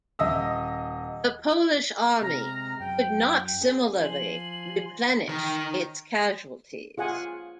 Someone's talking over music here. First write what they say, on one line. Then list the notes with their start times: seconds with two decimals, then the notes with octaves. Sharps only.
The Polish Army could not similarly replenish its casualties.
0.19 D#1 D#5 E6
2.22 C3 G#3 A#5 F6
2.79 F#2 G5
3.61 C#4 G#4
4.03 F3 G#5 C6 F#7
5.29 D#3
6.98 F4 G#4 F#5 G#5